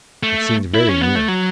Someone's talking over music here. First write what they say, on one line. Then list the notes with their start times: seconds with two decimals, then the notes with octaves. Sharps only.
It seemed very near.
0.23 A3
0.74 E4
0.89 C#4
1.01 B3
1.15 A3
1.28 F#3